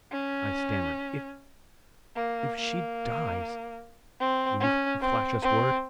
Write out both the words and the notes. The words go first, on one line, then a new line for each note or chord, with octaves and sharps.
I stammered, "If ... if she dies ... will you flash us word?"
C#4
A#3
A#3
C4
C#4
C4
C4